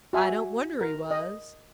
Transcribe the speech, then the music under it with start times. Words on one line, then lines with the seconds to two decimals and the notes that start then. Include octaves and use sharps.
I don't wonder he was.
0.13 F#4 E5 G#5
0.81 A#4
1.11 D#5